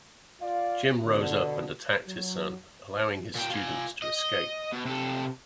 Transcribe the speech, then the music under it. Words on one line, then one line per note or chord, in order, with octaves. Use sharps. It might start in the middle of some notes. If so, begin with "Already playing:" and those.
Jim rose up and attacked his son, allowing his students to escape.
F4 D5 F5
B2 D3
F#3
A#2 G5
F4 G#5
D#5
B2
C3 A4